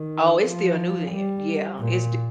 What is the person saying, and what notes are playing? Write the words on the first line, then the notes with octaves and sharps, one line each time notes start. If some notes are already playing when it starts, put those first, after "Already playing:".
Oh, it's still new then, yeah, it's d
Already playing: D#3
F3
G3
A#2